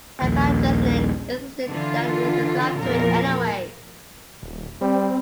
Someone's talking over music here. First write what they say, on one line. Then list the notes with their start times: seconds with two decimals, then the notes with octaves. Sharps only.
Emperor Justinian insisted that he subscribe to it anyway.
0.22 A#1 D#2
1.69 D3 E3 F4
2.78 E2 A#2 F3 A#4
4.43 D#1
4.81 G3 C4